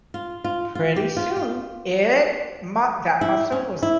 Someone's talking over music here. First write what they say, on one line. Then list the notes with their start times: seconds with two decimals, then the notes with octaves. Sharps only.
Pretty soon, it mu that muscle was
0.14 F4
0.44 F4
0.75 F4
0.96 G4
1.17 F4
1.37 F4
3.21 E4
3.52 C#4
3.83 E4